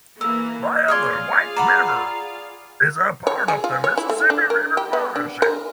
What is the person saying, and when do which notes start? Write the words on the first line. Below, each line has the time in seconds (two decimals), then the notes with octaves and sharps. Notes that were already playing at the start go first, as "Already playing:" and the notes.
Via the White River, it is part of the Mississippi River watershed.
0.21 E3 A#3 A#4 E6
0.88 F4 G#4 C#5 D5 F5 C6 F6 G#6
1.57 D5 F#5 A#5 B5
3.27 C#5
3.48 G#4
3.64 F4
3.84 C#5
3.98 E4
4.10 A3
4.30 D4
4.50 A#4
4.77 G4
4.93 B3
5.16 D4
5.42 A#4